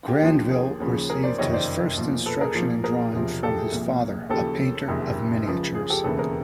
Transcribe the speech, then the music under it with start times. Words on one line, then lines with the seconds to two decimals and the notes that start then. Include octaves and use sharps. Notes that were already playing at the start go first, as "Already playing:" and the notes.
Grandville received his first instruction in drawing from his father, a painter of miniatures.
0.08 G4
0.22 D#2 D3 F3
0.51 G#4
0.80 D#2 C#3 F3
1.09 G#4 A#4
1.24 C5 D5
1.38 F#1 F2 C3 D#3 C#5 D#5
1.53 C5 D5
1.96 B1 A#2 F3
2.26 A4 B4
2.40 G#4 A#4
2.55 B1 A#2 F3
2.84 G#4 A#4
3.13 E1 E2 C3 F3
3.43 G4 A4
3.58 G#4
3.72 C2 A#2 F3
4.29 D#2 C#3 F3 G4 A4
4.88 F#1 F2 C3 D#3 G#4
5.02 G4
5.46 C#2 C#3 F3
5.75 G#4
5.90 G4 A4
6.04 E1 D#2 C#3 E3 A4 B4
6.19 G#4 A#4